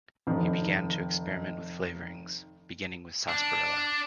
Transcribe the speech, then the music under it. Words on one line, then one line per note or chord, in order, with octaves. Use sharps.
He began to experiment with flavorings, beginning with sarsaparilla.
F1 D#3
D4